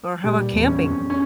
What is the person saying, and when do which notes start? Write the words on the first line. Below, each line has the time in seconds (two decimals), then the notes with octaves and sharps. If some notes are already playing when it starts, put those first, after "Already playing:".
Or how 'bout camping?
0.24 A#2 G3
0.52 E2
0.67 C#4
0.81 F2
1.10 C#4